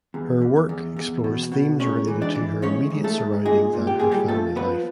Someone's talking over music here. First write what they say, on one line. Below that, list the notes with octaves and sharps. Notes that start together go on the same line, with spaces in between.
Her work explores themes related to her immediate surroundings and her family life.
E2
E2
E2
E2
B2
B2
G#2 C#4 C#5
E3
D4 D5
E3
G#2 C#4 C#5
G#2
A3 A4
G#2
A#2 G#3 G#4
A#2
G4
A#2 G#4
G3 G4
F3 A3 A4
F3 B3 B4